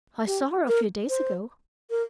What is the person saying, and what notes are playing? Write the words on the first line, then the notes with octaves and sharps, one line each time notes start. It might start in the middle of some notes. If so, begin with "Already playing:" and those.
"I saw her a few days ago."
G4
A#4
C5
A#4